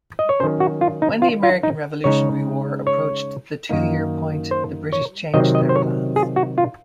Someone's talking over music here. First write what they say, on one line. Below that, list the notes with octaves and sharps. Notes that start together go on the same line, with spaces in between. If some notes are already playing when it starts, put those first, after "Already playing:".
When the American Revolutionary War approached the two-year point, the British changed their plans.
D#5
C#5
D#3 F#3 C#4 C5
F#4
F4
D#4
F4
F4
D#4
C#3 G#3 D#4 C#5
C#5
F#2 D#3 A#3 D#4
C5
C#5
C3 D#3 F#3 C4 D#4 D#5
D#5
C5
C#5
G#4
F#4
F4